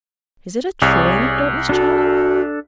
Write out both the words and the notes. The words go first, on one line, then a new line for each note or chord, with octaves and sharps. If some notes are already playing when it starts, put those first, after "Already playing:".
"Is it a true anecdote, Miss Channing?"
C2 G#4 C#5 D5
D4 F#4 A4